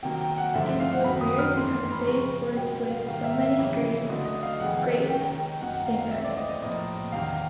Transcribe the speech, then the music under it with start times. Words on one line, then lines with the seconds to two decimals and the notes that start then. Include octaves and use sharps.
It was weird because they've worked with so many great, great singers.
0.03 C3 D#3 F#3 A#3 G5
0.21 G5
0.38 F#5
0.54 G2 D3 F3 A3 E5
0.66 E5
0.80 F5
0.92 F#5
1.04 F#2 D#3 F#3 B3 B5
1.21 D#6
1.38 F6
1.56 G2 E3 A3 C#4 C6
1.84 A#5
1.92 B5
1.98 C6
2.05 C#3 F3 G#3 C4 C#6
2.56 B2 G3 B3 G5
2.90 F5
3.07 G#2 D#3 G3 F5
3.24 E5
3.41 E5
3.59 F2 C#3 E3
4.08 D3 F#3 A3 D#5
4.25 D#5
4.43 F5
4.60 F2 C3 D#3 G#3 B3 F#5
5.10 D#3 G#3 C#4 G5
5.61 F#2 D#3 F#3 A#3 D#4 F#5
5.74 F#5
5.86 F5
5.98 F5
6.11 C3 E3 A3 C4 E5
6.25 D5
6.37 D#5
6.49 D#5
6.62 A2 F3 A#3 D#5
7.12 E2 C3 D#3 F5